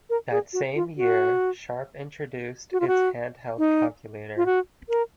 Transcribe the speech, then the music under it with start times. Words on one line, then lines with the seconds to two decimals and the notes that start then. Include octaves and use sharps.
That same year, Sharp introduced its hand-held calculator.
0.10 A#4
0.31 G#4
0.53 F#4
0.75 F4
0.98 F#4
2.72 F#4
2.80 F4
2.88 F#4
3.58 D#4
4.37 F4
4.46 F#4
4.89 A#4